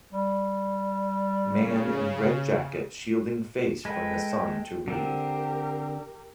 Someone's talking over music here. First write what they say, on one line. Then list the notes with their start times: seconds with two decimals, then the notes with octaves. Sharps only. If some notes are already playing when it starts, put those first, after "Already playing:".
Man in red jacket shielding face from the sun to read.
0.13 G3
1.43 C#3
3.85 G#3 A4 B4 G5
4.88 D3 C4 G4 A#4